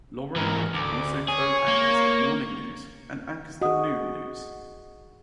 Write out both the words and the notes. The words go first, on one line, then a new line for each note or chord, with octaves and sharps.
Lauren Wood also co-anchors the morning news and anchors the Noon news.
G#2 E3 A#4
D2 D6
G#4 C#5
A#3
F#4 G#4 D#5 F#5 D#6